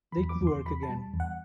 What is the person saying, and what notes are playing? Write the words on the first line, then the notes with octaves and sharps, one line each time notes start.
They could work again.
E2 B5
D6
E2
C6
E2 B5
A5
G3
E2
F#5